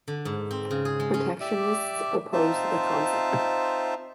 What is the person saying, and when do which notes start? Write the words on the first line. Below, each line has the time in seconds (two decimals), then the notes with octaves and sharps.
Protectionists opposed the concept.
0.08 D3
0.25 G#2
0.51 C4
0.71 C#3
0.85 G#4
1.00 G#3
1.14 C#4
1.41 G4 D5 E5
2.33 C4 D#4 F4 C5 E5 A5